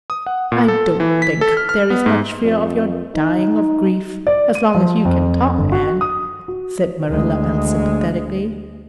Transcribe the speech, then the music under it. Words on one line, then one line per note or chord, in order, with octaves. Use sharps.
"I don't think there is much fear of your dying of grief as long as you can talk, Anne," said Marilla unsympathetically.
D#6
F#5
A#2
A4
E3
B6
A4
F6
F6
B3
G#2
F2
D#4
D5
D#7
F3
F2
G1
F#4
D#6
F#4
D2 G#3